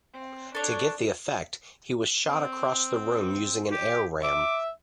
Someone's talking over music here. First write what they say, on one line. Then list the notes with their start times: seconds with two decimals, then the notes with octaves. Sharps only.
To get the effect, he was shot across the room using an air ram.
0.13 C4
0.55 D4 A4 C#5
2.27 C4
3.72 G4
4.23 E5 D6